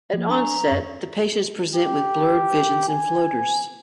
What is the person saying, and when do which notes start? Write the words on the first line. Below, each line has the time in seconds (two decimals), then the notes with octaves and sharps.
At onset the patients present with blurred vision and floaters.
0.14 F3 A#3
0.29 D4 G#5 A#5 C#6
0.67 F#2 F5 C#6
1.75 G4
2.88 G#5